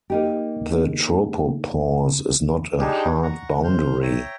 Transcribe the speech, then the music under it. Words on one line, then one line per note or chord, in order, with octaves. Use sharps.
The tropopause is not a "hard" boundary.
A#3 D#4 G4
D4 D#4 G4 G#4
F#5 A#5 C#6
C5 F6 G6
C#5 E5 G5 A#5